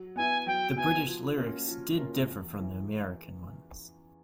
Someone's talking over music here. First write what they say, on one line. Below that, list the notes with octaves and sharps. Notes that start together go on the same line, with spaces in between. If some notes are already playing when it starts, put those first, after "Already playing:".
The British lyrics did differ from the American ones.
Already playing: F#3
B3 E4 G#5
F#3 G5
B3 E4 G#5
F3
A#3 C#4 F4 A#4
F3
A#3 C#4 F4 A#4
E2
E3